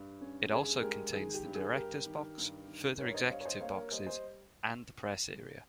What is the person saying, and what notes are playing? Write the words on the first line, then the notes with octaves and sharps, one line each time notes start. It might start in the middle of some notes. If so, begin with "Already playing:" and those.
It also contains the directors' box, further executive boxes and the press area.
Already playing: G2
C#4
G2 G#4
G#3 G4 A#4
D#3 G#4
G4
G2
G#4
G2 G4 A#4
D#3
G2
D#3
G2 A#4 C#5
C#5
C5 D#5
G2 C#5 F5
C#5
C5 D#5
A#3 C#5 F5
A#4 C#5
G3 C5 D#5
C5 D#5